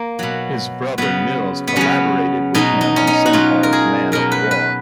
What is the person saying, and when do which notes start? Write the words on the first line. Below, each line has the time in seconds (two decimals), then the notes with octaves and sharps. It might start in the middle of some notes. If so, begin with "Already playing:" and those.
His brother Nils collaborated with him on Centaur's Man of War.
Already playing: A#3
0.19 B2 F#3
0.98 C#3 F#3 B3
1.67 B3
1.76 C#3 F#3 C#4
2.55 B2 F#3 D#4
2.81 D#4
2.96 C#4
3.07 D#4
3.26 F#4
3.33 B2 F#3 F4
3.63 A#4
3.73 G#4
4.12 B2 F#3 A#4
4.32 B4
4.51 B4